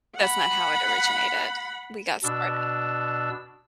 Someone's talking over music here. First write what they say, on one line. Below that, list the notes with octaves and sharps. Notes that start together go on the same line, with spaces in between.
That's not how it originated. We got started.
F#5 B5
B2 D4 E6